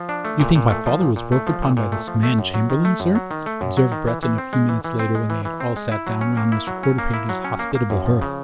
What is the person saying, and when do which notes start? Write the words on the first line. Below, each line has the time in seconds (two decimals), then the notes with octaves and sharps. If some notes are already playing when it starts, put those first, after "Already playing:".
"You think my father was worked upon by this man Chamberlayne, sir?" observed Breton a few minutes later when they had all sat down round Mr. Quarterpage's hospitable hearth.
Already playing: F3
0.09 D4
0.25 A3
0.40 A#2
0.55 A#2
0.70 A3
0.86 F3
1.00 A#2
1.16 A#2
1.32 A3
1.47 F3
1.62 A#2
1.77 A#2
1.92 A3
2.08 F3
2.23 A3
2.39 F#2
2.54 F#3
2.70 D#3
2.85 A3
3.00 F#2
3.15 F#3
3.31 D#3
3.46 A3
3.61 F#2
3.77 F#3
3.92 D#3
4.07 E3
4.23 E3
4.38 C4
4.53 G#3
4.69 E3
4.84 E3
4.99 C4
5.15 G#3
5.30 E3
5.45 E3
5.60 C4
5.76 G#3
5.92 E4
6.07 F#3
6.21 C#4
6.37 A#3
6.52 E4
6.67 F#3
6.83 C#4
6.98 A#3
7.14 E4
7.29 F#3
7.44 C#4
7.59 A#3
7.75 A#3
7.90 F#2
8.06 F3
8.21 C#3